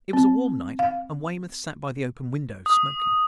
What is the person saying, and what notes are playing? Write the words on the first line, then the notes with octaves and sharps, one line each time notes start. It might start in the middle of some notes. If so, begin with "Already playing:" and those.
It was a warm night, and Weymouth sat by the open window, smoking.
C4
F5
D#6